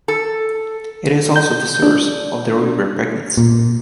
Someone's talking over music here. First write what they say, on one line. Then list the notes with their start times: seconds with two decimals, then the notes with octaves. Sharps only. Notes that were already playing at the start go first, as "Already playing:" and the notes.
It is also the source of the river Pegnitz.
0.08 A4
1.36 G6
1.83 D4
3.37 A#2